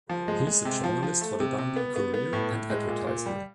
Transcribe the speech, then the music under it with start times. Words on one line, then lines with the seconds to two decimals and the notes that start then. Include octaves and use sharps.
He is a journalist for the Dundee Courier and Advertiser.
0.10 F3
0.28 G#3
0.47 G#3
0.65 C3
0.84 F3
1.03 F3
1.21 A3
1.40 C3
1.58 C3
1.76 B3
1.96 B3
2.14 B3
2.33 A2
2.51 A2
2.70 G#3
2.88 A#2
3.07 A#2
3.26 G3